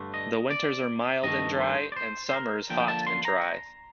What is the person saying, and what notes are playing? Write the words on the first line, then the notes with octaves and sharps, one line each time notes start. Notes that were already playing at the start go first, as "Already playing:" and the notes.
The winters are mild and dry and summers hot and dry.
Already playing: G2 D3 A3
D#5
D5
G2 D#3 A3 D#5
C5
D5
C5
C5
A#4
D3 F3 A#3 G5
G5
A5
C6
A#5